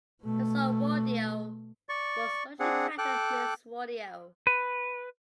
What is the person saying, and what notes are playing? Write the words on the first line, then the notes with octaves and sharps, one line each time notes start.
The song 'Rodeo' was originally titled 'Miss Rodeo.
B2 A3
D5 C#6
C4 D4 G#4 F#5
A4 G5 D6 F#6
B4